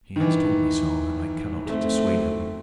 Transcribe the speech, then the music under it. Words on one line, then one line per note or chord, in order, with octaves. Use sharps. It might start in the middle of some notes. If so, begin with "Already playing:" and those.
He has told me so, and I cannot dissuade him.
D#3 E3
A3 C4